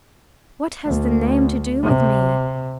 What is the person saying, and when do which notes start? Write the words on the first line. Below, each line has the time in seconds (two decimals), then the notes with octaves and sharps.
What has the name to do with me?
0.87 D2
1.83 C3